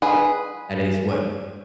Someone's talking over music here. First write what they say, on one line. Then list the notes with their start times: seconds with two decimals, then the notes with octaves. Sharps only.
that is what
0.02 G#4 B4